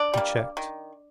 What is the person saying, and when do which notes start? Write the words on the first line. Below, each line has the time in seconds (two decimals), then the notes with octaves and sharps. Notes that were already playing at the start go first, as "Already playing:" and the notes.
He checked.
Already playing: D4 D5
0.14 G3 A#3
0.57 D#3